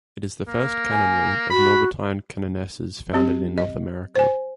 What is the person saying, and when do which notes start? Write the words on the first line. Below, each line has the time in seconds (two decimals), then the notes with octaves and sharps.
It is the first canonry of Norbertine canonesses founded in North America.
0.48 A#3
0.91 G#5
1.50 F#4 B5
3.13 F#3 C4 G4
3.58 D#5
4.16 C5 G#5